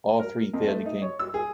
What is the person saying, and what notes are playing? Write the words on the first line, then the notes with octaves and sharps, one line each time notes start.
All three failed the king.
A#4
F2
A3
D#4
C#5
E6
G#4